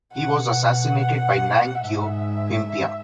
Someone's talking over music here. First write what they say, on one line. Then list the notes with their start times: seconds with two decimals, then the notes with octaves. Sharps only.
He was assassinated by Nang Keo Phimpha.
0.13 B2 F#5
0.70 F#5
1.80 G#2 E5